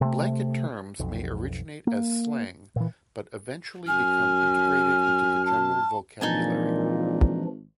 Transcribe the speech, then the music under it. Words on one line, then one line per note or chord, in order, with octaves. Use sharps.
Blanket terms may originate as slang but eventually become integrated into the general vocabulary.
C3 A3
B1 F2
A#3
A#2 E3
F#2 G#5 F6
A5
G#1 A#2 E3 F3 D4 D#4 G#5 A5